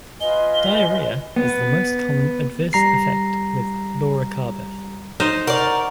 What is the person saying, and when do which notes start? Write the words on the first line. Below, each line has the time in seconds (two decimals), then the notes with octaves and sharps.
Diarrhea is the most common adverse effect with loracarbef.
0.21 F4 B4 D#5 G#5 G7
1.36 B3
2.73 G3 A#5 C7
5.20 D#4 C5 D#6
5.47 A#4 D5 F#5 C#6 F6